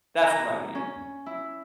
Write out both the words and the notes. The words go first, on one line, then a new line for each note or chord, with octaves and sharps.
That's what I mean.
A#5
C#4
E4